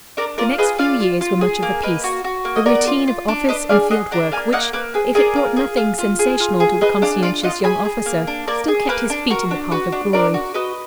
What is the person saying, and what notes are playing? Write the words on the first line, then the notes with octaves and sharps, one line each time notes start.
The next few years were much of a piece--a routine of office and field work which, if it brought nothing sensational to the conscientious young officer, still kept his feet in the path of glory.
D4 A#4 D5
F4 A#4 D5
G#4 B4 D#5
F4 D5 F5
F4
F4
G#4
A#3
A#3 B4 D#5
F#4
F#4
A#3
D#5
B3 A#4 D5
F4
F4
D4
D4 B4 D#5
G#4 D5 F5
G#4 D#5 F#5
D4 F#5 A#5
A#3 F5 G#5
A#3 D#5 F#5
A#3 B4
G#4 B4
G#4 A#4 D5
F4
G#4
F4
F4
G#4
F4
G#4
G#4 B4 D#5
D4 D5 F5
F4 D5 F5
F4 D#5 F#5
G#4 G#5 B5
G#4
A#3
D4
A#3 A#4 D5
G#4
A#3 B4
D4
F#4 A#4
D4
F#4 B4
D4
D4 A#4 D5
F#4
F#4 B4 D#5